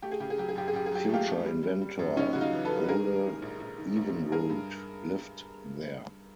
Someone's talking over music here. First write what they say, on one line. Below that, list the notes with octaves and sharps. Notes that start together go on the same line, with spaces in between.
Future inventor Ole Evenrude lived there.
A3 G4
G#4
C#3 G4
G#4
F#3 G4
G#4
F#2 G4
G#4
F#2 G4
G#4
F#3 G4
G#4
A3 F4 G4
A3
G3
G3
G3
F#2
F#2 C#4 D#4
C#3 F#4
D#4 F4
E3
A4 B4
G3
B4
G#2 G#4 A#4
D#3
D#3
A#1
A#1
D#3
A#1
D#3
G2 G#4 A#4
G2